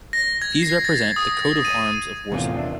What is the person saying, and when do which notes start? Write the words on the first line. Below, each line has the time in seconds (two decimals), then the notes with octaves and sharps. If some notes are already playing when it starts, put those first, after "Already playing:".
These represent the coat of arms of Warsaw.
0.13 A#6
0.42 G#6
0.63 C7
0.85 A6
1.16 D#6
1.65 D#7
2.32 A1 E2 C3 D#3 F4
2.57 D4 E5